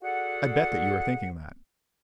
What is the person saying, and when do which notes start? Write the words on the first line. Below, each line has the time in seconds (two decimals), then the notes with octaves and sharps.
I bet that you are thinking that.
0.02 F#4 G#4 A4 D5 F#5